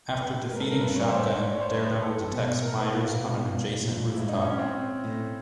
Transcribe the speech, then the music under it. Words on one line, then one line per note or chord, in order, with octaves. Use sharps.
After defeating Shotgun, Daredevil detects Myers on an adjacent rooftop.
B4
G#2 A#4
A4
A#4
G2 B4
C#5
A2 C5
C#5
D5
C#5
C5
B4
B4
A4
B2
A2 A#4
B4
A#2 F4
B2
A#2
G#2 E4
D#4
C#4
C4
A2